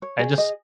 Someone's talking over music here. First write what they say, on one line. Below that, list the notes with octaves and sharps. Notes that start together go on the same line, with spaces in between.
I just
C#5
G#4
D#5